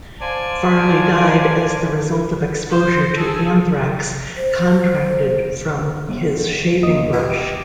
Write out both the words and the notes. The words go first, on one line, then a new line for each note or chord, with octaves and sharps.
Farley died as the result of exposure to anthrax contracted from his shaving brush.
C5 D5 F5 G#5 A5
C5
G#4 A4
C5
G1
E2 A#3 D#5 D#6
C2 B2 E3 G4